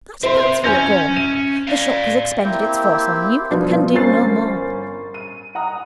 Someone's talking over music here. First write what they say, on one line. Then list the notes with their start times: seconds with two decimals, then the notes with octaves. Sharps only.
'That accounts for your calm. The shock has expended its force on you, and can do no more.
0.23 C4 C5 E5 C6
0.64 C#4 G#5 G6 A#6
1.16 D#7
1.67 D5 F5
2.44 A#3 C4 E4 G4
3.50 F3 F#3 B3 D4
3.71 F3 C4 F4
3.94 G1 C#4 A#4 C5 A6 C7
5.14 D#7
5.55 F#5 A#5 D#6